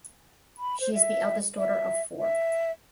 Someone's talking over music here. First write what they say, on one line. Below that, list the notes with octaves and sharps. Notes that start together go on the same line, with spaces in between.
She is the eldest daughter of four.
B5
C5
E5
E5
E5